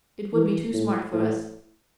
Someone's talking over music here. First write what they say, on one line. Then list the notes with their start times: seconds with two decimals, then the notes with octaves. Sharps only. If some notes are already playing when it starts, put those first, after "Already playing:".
It would be too smart for us.
0.34 E3
0.73 A2
1.13 A2